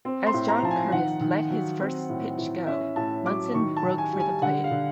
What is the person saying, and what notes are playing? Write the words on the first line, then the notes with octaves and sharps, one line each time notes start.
As John Curtis let his first pitch go, Munson broke for the plate.
C4
C6
A2
A#5
F3 A5
G#5
D#3 F#5
D#3
F#3
C4
A2
E3
C#4 E5
A2 A5
F#3 D6
D#3 C#6
A5
D#3
G#5
G3
G#5
D3 F#5
F5
D3